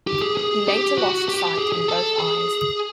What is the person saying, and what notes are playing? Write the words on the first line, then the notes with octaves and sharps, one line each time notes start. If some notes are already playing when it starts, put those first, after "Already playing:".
He later lost sight in both eyes.
G4
G#4
G#4
G4
F#4
G4
G#4
G#4
A4
G#4